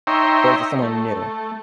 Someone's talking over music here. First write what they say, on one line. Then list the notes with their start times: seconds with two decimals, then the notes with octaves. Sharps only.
Or is it someone new?
0.07 D#4 C#5 E5 G5 A#5 C6
0.82 A3